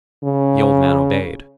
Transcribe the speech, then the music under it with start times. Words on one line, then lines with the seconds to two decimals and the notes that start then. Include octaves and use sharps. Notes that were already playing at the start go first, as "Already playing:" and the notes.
The old man obeyed.
0.24 C#3